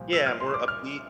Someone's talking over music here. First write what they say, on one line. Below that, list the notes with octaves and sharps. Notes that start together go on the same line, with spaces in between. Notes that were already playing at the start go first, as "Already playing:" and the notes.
Yeah, more upbeat.
Already playing: C2 A#2 F3
E6
F6
C6
D6
F6